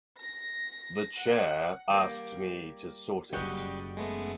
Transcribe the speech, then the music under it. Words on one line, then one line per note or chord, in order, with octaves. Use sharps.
The Chair asked me to sort it.
A#6
F#5
G3 A#3
F#1 C#3 G3 F#4 G4 D#5
G#3 A3 B3